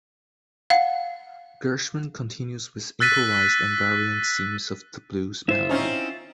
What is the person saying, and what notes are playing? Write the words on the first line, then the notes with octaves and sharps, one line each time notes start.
Gershwin continues with improvised and variant themes of the blues melody.
F5 F#5
E6 F#6 A6 B6 D#7
E4 F4 C5 E5
C4 C#4 D#4